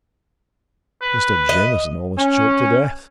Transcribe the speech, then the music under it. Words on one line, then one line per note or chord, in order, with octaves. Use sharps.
Mr. Jamieson almost choked to death.
B4
D#5
C#4